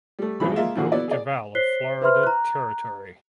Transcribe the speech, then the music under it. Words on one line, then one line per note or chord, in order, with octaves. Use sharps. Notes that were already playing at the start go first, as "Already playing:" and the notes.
William Pope Duval of Florida Territory.
G3 A3
G#1 F2 B2 E3 G3 B5
G#3 A#3 F4 E5
A#2 D3 E3 F3 F#4 G#4
F#3 B3 E4 D5
G#4 D5
C5 C#5 F#6 B6 C7 G7
B4 C5 E5 B5 C6 F6
A#5 F#6